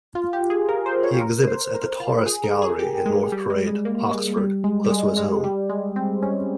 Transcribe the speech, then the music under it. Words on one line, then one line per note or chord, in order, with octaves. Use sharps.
He exhibits at the Taurus Gallery in North Parade, Oxford, close to his home.
F4
G4
G#4
A#4
C5
C#5
A#4
C5
A#4
F4
G#4
A#4
G#4
G4
G#3
G3
G#3
G#3
A#3
G#3
G3
G#3
G3
G#3
G#3
G3
G#3
C4
C#4